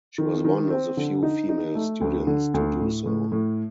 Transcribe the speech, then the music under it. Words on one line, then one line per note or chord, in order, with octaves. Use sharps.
She was one of the few female students to do so.
D#3
D#3
C4
D3
D#4
D#4
A3
D2
D3
D2
A2
A2
A2